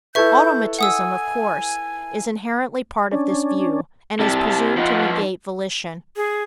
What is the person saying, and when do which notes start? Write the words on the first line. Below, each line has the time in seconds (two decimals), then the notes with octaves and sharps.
Automaticism, of course, is inherently part of this view, and is presumed to negate volition.
0.15 E4 A4 B4 E5 C#6 G6 G#6
0.79 F#5 G#5 D#6 E6
3.11 C#4 D4
4.19 C3 G3 A5
4.77 F3 D#4 F4 F#5
6.16 G#4